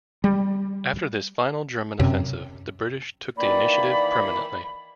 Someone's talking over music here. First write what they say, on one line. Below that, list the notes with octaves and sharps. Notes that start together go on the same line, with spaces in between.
After this final German offensive, the British took the initiative permanently.
G3
F#2 C3
D#3 E3 A#3 D5 B5